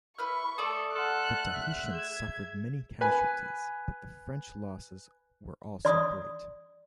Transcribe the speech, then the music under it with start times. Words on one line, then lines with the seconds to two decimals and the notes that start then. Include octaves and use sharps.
The Tahitians suffered many casualties, but the French losses were also great.
0.19 E4 B4 C#6 F6
0.58 A3 A4 D5 D#6
0.95 A4 F#5 C6 F6 F#6
1.54 E5
1.93 G#4 G#6 E7
3.01 B4 G#5
5.85 D5 C6 D#6